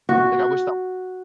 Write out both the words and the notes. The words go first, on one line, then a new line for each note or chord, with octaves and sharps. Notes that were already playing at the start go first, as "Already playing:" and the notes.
like, I wish tha
F#4